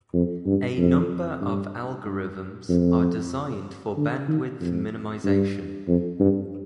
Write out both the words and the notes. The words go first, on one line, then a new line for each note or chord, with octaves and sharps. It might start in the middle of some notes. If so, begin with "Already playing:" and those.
A number of algorithms are designed for bandwidth minimization.
F2
G2
F2
G2
G2
F2
D3
D#3
F2
G2
F2
G2